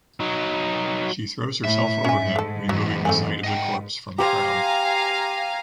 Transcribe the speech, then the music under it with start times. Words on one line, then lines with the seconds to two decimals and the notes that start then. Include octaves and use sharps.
She throws herself over him, removing the sight of the corpse from the crowd.
0.20 F#3 D#4
1.65 A2 E5
2.04 G#2 C#4 G#5
2.36 A3 A4
2.69 F#2 E3 F#3
3.05 A3 C4 G#5
3.44 D#5 F#5 G5
4.18 G4 C5 F5 G5 G#5 A#5